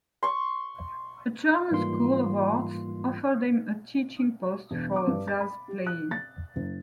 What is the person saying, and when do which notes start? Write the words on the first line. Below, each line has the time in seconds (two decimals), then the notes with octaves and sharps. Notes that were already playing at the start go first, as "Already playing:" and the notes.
A German school of arts offered him a teaching post for saz playing.
0.23 C6 C#6
1.71 G#2 E3 G3 A#3 F4 C6
4.71 E1
4.96 D6
5.07 G2
5.28 A6
5.40 B5
5.68 G4
5.86 F#6
6.11 A6
6.56 F#1